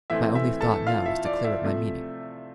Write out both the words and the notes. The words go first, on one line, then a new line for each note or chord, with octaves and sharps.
My only thought now was to clear up my meaning.
A2 E3 A3 C4 E5
E5
A4 A5
F4 F5
E5
D5
E5
C3 F3 A3